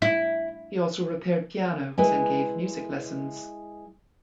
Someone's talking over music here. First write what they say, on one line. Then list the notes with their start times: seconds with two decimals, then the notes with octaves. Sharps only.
He also repaired pianos and gave music lessons.
0.02 E4
1.98 G#3 E4 B4 G#5